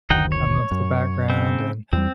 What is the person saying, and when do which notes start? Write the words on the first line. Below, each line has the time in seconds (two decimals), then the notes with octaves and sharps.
amongst the background, and
0.10 F#1 D2 D#3 D#4 F#5 G5
0.32 C#5
0.71 F#2
1.30 C#3 C4
1.93 E2 G3 C4